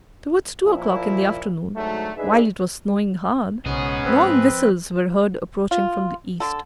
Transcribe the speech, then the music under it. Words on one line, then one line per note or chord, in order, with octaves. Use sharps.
Towards two o'clock in the afternoon, while it was snowing hard, long whistles were heard approaching from the east.
A#2 F3 E4
D2 G#2 F#3 A3
D4 D#4 G#4 B4 E5
B1 G#2 C#3 B3 C#4 G#4
F3 C4 B4
F4
D3 A4